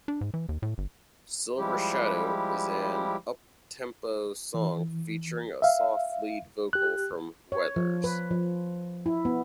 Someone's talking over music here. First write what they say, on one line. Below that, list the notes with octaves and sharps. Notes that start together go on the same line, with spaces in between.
"Silver Shadow" is an uptempo song featuring a soft lead vocal from Weathers.
D4
G#2
E3
D#2
A2
G1
F3 G3 G#3 E4 G4
E3
E5 F5
G4 F#6
C#5
F3
B4
F3
E4
B3